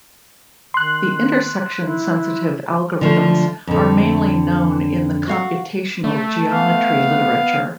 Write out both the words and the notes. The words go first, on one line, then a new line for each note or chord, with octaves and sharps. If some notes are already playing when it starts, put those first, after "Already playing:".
The intersection-sensitive algorithms are mainly known in the computational-geometry literature.
D#3 C6 F#6
E4
D3 F3 A3
F2 D3
F#4 F5 F#5
A3
B3 F5